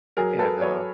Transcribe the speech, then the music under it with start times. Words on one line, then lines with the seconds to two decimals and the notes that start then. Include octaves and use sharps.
And, um,
0.17 F#3 G#4 A#4
0.39 A4 B4
0.61 F#3 B4 C#5